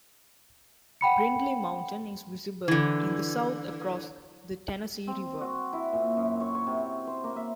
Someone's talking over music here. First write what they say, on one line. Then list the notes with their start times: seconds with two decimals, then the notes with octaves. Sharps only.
Brindley Mountain is visible in the south across the Tennessee River.
1.01 F#5 G5 B5 C#7
2.68 D3 E3
5.07 C4
5.41 F#4
5.73 E4
5.93 A#2
6.17 F#2
6.40 C#5
6.55 C#5
6.67 C3
7.07 C5
7.24 A#3
7.36 E5